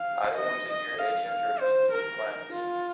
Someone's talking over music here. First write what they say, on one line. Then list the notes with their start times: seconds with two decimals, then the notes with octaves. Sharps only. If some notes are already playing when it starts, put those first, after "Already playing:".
I don't want to hear any of your beastly plans.
Already playing: F5
0.36 D#5
0.68 D#5
0.99 F5
1.29 F5
1.59 C5
1.91 A#4
2.52 F4